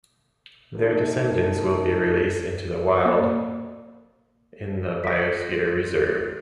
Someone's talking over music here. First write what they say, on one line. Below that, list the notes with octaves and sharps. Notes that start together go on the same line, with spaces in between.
Their descendants will be released into the wild in the Biosphere Reserve.
C3 A3 D4 D#4 A4 A#4
A#3 D5
F4 A#6 B6